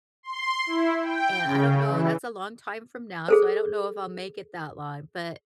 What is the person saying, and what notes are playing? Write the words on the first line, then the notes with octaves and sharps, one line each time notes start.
and I don't know, that's a long time from now, so I don't know if I'll make it that long, but
C6
E4
G5
C#3
E3
G#4 A4 C5